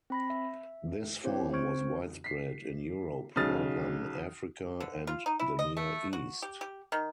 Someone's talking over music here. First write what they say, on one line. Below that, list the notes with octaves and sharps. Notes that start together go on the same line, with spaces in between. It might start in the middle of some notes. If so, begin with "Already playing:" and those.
This form was widespread in Europe, Northern Africa and the Near East.
C4 B5 A#6
E5
C4 E4 G4 C5 C#5
C4 C5 C#6 F6 G#6 D7
B6 C7
B1 C#3 D#6 F6 A6
D3
F4
D#4
E4
D#5
A3
F#4
G4
G4
D#3